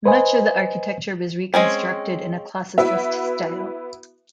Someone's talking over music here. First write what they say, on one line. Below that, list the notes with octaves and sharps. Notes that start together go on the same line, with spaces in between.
Much of the architecture was reconstructed in a Classicist style.
B4 C5 D#5 G#5
G#3 C4 C#4
B3 E4 F#4 B4 E5